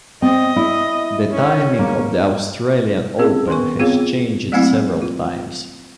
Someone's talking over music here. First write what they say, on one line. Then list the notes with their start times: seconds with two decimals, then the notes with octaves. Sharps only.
The timing of the Australian Open has changed several times.
0.22 C4 D#5
0.56 E4
1.32 C#4
1.79 A#3
3.19 C4 C#4 G#4
3.48 D#3 B3 A#4 G#5 C#6
3.79 B3 C4 F4 G#4 C#5 F5
4.52 F#3 A3 A#3 C4 E4
5.02 F4